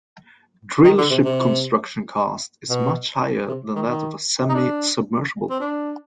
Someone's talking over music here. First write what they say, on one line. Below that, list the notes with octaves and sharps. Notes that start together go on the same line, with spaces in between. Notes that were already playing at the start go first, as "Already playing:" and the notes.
Drillship construction cost is much higher than that of a semi-submersible.
D#3
D3
C3
C3
B2
C3
D#3
D#3
D#4
D4
C4
D4